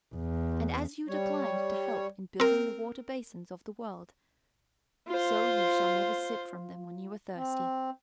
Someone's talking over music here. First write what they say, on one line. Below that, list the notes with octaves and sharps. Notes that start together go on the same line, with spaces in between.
And as you declined to help in building the water-basins of the world, so you shall never sip from them when you are thirsty.
E2
G3 C#5
C4 A#4
F4 C5
C4